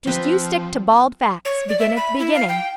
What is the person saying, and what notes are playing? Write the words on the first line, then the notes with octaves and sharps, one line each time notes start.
Just you stick to bald facts. Begin at the beginning.
F3 C4 B4
C#5
D5
E5
B5
E4
F5
G5